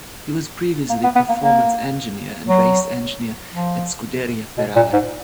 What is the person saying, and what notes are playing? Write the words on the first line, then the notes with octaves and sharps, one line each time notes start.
He was previously Performance Engineer and Race Engineer at Scuderia Ferrari.
A#3
B3
B3
A#3
A#3
F#3
F3
B2
A#2
G#2